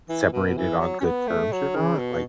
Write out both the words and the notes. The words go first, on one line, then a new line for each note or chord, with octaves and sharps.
separated on good terms or not? Like
E3
B2
E3
F#3
C#4
B3
A3
F#3
C#3
B2